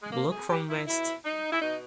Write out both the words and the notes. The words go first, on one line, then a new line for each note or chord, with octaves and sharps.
Block from west.
G#3
B2 A#3
G#4
G4
E4
B2 E4
D#4
E4
B2 D#4